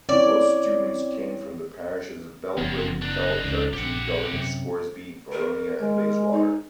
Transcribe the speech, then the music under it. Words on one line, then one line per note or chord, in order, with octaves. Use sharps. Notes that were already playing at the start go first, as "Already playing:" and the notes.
Most students came from the parishes of Belgrave, Ferntree Gully, Scoresby, Boronia, and Bayswater.
C4 E4 C#5 D5
F#1 F2 B3
D4 D#4
C#2 C#3
A#1 G4 F#5
F#2 C3
A#4
G#3
D#4